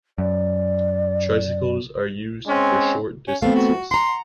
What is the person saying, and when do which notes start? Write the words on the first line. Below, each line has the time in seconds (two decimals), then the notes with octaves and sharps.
Tricycles are used for short distances.
0.18 F#2 D5
2.46 G#3 C4 C#4
3.28 C#4
3.42 A3 B3 C4 F5
3.56 F#4
3.91 F#5 A#5 C6